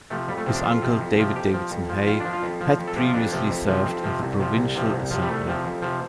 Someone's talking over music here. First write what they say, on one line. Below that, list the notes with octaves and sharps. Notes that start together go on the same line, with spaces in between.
His uncle David Davidson Hay had previously served in the provincial assembly.
C3 F3 A3
F2 G3
A3
C3 F3 C4
D4
F2 F4
C3 F3
F2
C3 F3
F2 G4
F3
F2
F3
F2 F4
F3 D4
F4
F2
F3
F2
A4
C3 F3 G4
F4
F2 D4
C3 F3
F2
C3 F3
F2 C4
C3 F3
C2
C3 F3
C2
C3 F3
C2
C3 F3
G3
C2 A3
C3 F3
F2
C3 F3